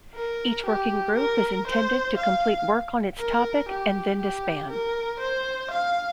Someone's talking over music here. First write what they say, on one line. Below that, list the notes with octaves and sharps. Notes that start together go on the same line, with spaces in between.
Each working group is intended to complete work on its topic and then disband.
A#4
G4
A#4
C5
F5
A#4
G4
G4
A#4
C5
F5